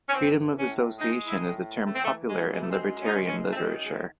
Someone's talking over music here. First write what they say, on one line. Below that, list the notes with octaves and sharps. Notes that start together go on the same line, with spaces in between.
Freedom of association is a term popular in libertarian literature.
C#4
E3 C4
A2 C#4
G#3 D#4
E4
A2
E3 A3
C4
A3
F#2 G#3
G#3
A3
G#3 C4
C#4
D#4
F#2 C#4
C#4
A3
D#3 C4
G#3